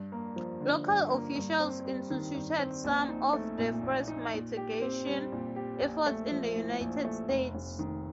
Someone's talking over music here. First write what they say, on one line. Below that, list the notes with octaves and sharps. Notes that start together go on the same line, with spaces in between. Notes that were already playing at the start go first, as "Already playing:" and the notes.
Local officials instituted some of the first mitigation efforts in the United States.
Already playing: G2
A#3
F3
D3
G2
A#3
G2
C4
G3
D#3
G2
C4
A#1
D#4
A3
A#2
A#1
D#4
A#2
G4
C4
G3
A#2
G4
A#1
A3
F3
A2
A#1
A3
F1
F1
D#3